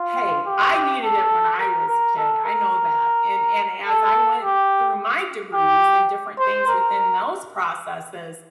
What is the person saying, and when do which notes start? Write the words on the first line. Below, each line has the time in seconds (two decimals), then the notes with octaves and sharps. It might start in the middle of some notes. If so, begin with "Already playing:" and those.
"Hey, I needed it when I was kid," I know that. And and as I went through my degrees and different things within those processes,
Already playing: F4
0.47 G4
1.04 A4
1.60 A#4
1.88 A#4
2.17 A4
2.45 A#4
3.86 A4
4.42 G4
5.54 G4
6.39 C5
6.68 A#4